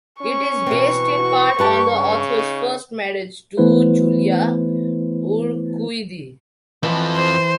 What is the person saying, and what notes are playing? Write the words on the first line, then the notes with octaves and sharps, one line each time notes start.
It is based in part on the author's first marriage, to Julia Urquidi.
C#4 C#6
B2 E3 C4
F#4
G2 G4 B4 A5
C#3
D#4
E3 A3 B3 E4 B4 C5
F2 E3 F3
C5